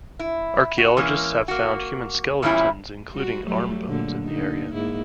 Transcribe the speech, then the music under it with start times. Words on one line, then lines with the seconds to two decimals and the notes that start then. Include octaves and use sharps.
Archeologists have found human skeletons including arm bones in the area.
0.19 E4
0.78 F#4
0.97 E3 G#3 A#3 C#4
1.48 A#3 F#4
2.42 E2 A#2 G3 C#4 D4 E4
3.11 G3 F#4
3.44 F#3 G3 A3
3.87 A#2 D3 F#3
4.25 D3 A#3 D#4
4.73 G#2 A#3 E4